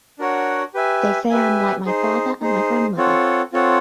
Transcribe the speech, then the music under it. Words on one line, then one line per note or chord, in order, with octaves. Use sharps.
They say I am like my father and my grandmother.
D4 F#4 A#4 C#5 F#5
G4 B4 E5 G#5
G4 B4 E5 G#5
D#4 G#4 C5
D#4 G#4 C5
C4 F4 A4 C#5 F#5
C4 F4 A4 C#5 F#5